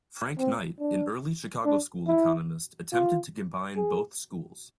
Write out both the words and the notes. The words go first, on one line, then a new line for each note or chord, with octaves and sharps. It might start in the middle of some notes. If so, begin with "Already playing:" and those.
Frank Knight, an early Chicago school economist attempted to combine both schools.
C4
D4
D4
E4
F4
G#4